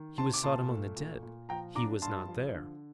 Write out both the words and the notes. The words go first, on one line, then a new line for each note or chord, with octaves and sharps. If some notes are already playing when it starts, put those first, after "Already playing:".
He was sought among the dead, he was not there.
Already playing: D#3
C3 A5 C6
D6
A#2 A5 C6
A3
A#2
A#2
F3 G5 A#5
D4 A#5 D6
G2 A5 C6
F3
D3